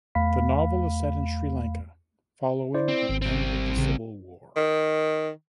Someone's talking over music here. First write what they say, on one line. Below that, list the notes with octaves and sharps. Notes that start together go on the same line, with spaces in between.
The novel is set in Sri Lanka following the end of the Civil War.
E2 A3 F5 B5 B6
E4 C5 D5
C4
G#1
G3 C4
A1 C#3
D#3